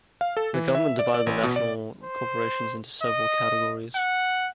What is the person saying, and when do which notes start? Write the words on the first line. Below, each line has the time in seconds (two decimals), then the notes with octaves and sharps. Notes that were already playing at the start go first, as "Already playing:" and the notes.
The government divided the national-level corporations into several categories.
0.21 F5
0.37 A4
0.54 E3
0.75 E5
0.99 D5
1.14 D5
1.26 A1
1.43 B2
1.56 D5
2.04 C5
3.03 D#5
3.95 F#5